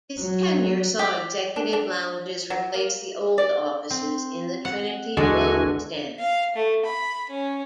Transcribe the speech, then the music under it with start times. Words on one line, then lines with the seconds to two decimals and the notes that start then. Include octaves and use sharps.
His tenure saw executive lounges replace the old offices in the Trinity Road Stand.
0.19 F#3
0.99 G4
1.56 D4
1.73 D4
2.50 F#3
2.74 A#3
3.38 D5
3.90 C4
4.65 F#5
5.17 D#2 D3 G#3 D4 F#4 A4 G#5
6.19 F5
6.56 A3
6.85 B5
7.30 C#4